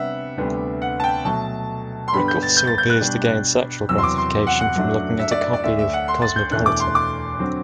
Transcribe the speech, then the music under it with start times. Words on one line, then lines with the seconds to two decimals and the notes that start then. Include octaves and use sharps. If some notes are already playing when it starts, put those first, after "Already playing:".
Rik also appears to gain sexual gratification from looking at a copy of "Cosmopolitan".
Already playing: C3 G3 B3 D4 E5 F#5
0.37 D2 C3 G3 B3 D4
0.82 F#5
1.00 A5
1.04 G5
1.25 B2 F#3 A3 A5
2.08 C6
2.12 G2 D3 G3 B3 B5
2.28 G6
2.43 A6
2.57 G6
2.67 A6
2.78 G6
2.90 F#6
3.01 B2 G3 D4
3.89 E2 C3 F#3 E6
3.98 C6
4.04 D6
4.18 C6
4.47 F#5
4.61 F#5
4.75 F#2 F#3 A3 D4
5.19 E5
5.31 D5
5.42 D5
5.53 D5
5.64 D2 D3 A3 D4 E5
5.79 E5
5.93 F#5
6.08 C6
6.22 A6
6.36 G6
6.51 E2 B2 A3 D4 F#6
6.66 D6
6.80 C6
6.95 D6
7.39 D3 F#3 C4